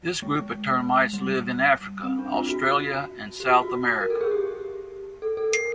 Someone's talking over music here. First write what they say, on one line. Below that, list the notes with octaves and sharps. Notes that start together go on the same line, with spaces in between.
This group of termites live in Africa, Australia and South America.
G#3
G3
C4
D4
F4
F#4
G4
F#4
F4
F#4
A#4
A4
G#4
G4
A4
A4
A#4